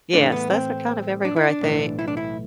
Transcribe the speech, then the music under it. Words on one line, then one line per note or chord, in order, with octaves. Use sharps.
Yes, those are kind of everywhere, I think.
A2 E3 A3 D4
B3
C4
D4
E4
D4
B1 A2 E3
E4
D4
E4